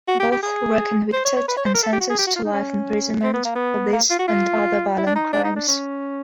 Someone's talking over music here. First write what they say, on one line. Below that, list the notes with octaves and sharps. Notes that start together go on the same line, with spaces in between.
Both were convicted and sentenced to life imprisonment for this and other violent crimes.
F#4
G4
G4
G#4
C5
C#5
C#5
B4
C#5
C5
A#4
A4
G4
F#4
G#4
G4
F#4
F4
D#4
C#4
C4
B3
A#3
B3
A#3
F4
F#4
F4
E4
D4
D#4
D4
D#4
D4
C#4